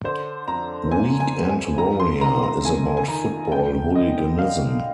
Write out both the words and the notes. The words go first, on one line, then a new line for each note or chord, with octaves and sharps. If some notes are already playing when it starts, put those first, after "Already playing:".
"Weekend Warrior" is about football hooliganism.
D3 C5
F2 A#5
F2 G#5
G#5
D3
G#5
F2 A#5
C6
D#3 A#5
A#5
F2 G#5
G#5
D#3 A#5
F2 G5
D3 D#5
D3 F5